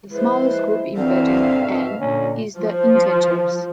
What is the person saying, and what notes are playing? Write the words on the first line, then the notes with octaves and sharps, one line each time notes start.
The smallest group embedding N is the integers.
F3 G#3 E4 B4 C5
D3 E3 C4 E5 F5
G#2 B2
A#2 D3 C#4
F3